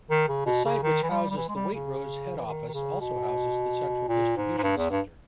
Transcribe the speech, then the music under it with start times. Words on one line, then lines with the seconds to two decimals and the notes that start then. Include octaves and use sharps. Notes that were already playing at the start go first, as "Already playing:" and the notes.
The site which houses the Waitrose head office also houses the central distribution centre.
0.10 D#3
0.28 C#3
0.46 B2
0.65 C#3
0.83 D#3
1.03 E3
1.10 G3
1.30 G3
1.37 E3
1.49 G#3
1.55 G3
1.73 C#3
2.38 E3
2.46 D#3
2.69 D#3
2.73 C#3
3.00 B2
4.08 A#2
4.36 G#2
4.58 G#2
4.63 G2
4.77 E2
4.90 G2